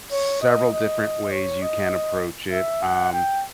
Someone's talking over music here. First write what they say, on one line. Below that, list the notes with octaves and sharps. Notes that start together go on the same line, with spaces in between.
several different ways you can approach it, um,
C#5
D#5
D#5
C#5
D#5
E5
F#5
G5